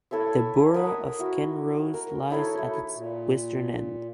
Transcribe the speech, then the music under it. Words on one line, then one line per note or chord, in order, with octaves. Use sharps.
The burgh of Kinross lies at its western end.
E4 A4 C#5 E5
A#4 F#5 B5 D#6
E4 F#4
A#4
D#4 E4 A4 C#5
A3
A#2